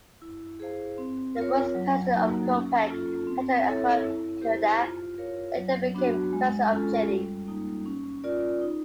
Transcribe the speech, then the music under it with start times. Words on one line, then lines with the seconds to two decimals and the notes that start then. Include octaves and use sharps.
The first president of Copec, Pedro Aguirre Cerda, later became president of Chile.
0.22 E4
0.60 G#4 C5 F5
0.98 C4
1.36 F4 A#4 C#5
1.75 F#3
2.14 A#3 D#4 F#4 A#4
2.52 C#4
2.89 F4 A4
3.27 C4
3.66 E4 A4 C#5 E5
4.04 E4
4.42 G4 C5
4.81 F4
5.18 A#4 C#5 F5
5.57 F#3
5.95 B3 D4 F#4
6.33 G#3
6.71 C#4 F4 A4
7.10 G3
7.47 A#3 D#4
7.86 C#4
8.24 F4 A#4 D5
8.62 D#4